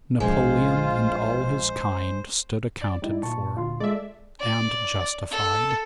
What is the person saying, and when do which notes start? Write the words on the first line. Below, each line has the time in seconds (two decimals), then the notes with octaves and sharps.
Napoleon and all his kind stood accounted for--and justified.
0.20 A#1 F3 G#3 F4 C5
2.82 D5
3.02 G3 D#4 E4
3.23 A#2 A5 C#6
3.56 D2 F4 C6
3.80 G#3 A4 D5 E5
4.40 D5
5.31 A4